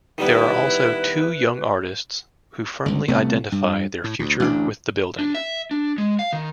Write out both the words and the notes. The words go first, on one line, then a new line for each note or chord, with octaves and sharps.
There are also two young artists who firmly identify their future with the building.
D#3 G3 B3 E4 B4
G1 C#2
C2 C3 A3 B3
G2
A2
D2
A1 D2 F#3 D4
D4
E5
D4
G#3
F5
D#3